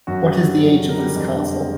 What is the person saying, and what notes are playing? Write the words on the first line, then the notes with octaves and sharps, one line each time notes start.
What is the age of this castle?
F#2 F#4
G3
D3
F#2 G#4
D3
A#4
G3
F2
D3
G#3